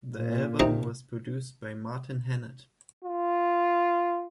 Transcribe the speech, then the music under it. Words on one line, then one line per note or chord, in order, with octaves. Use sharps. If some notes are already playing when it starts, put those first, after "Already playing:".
The album was produced by Martin Hannett.
A#2
C3 D#4 D#5
F4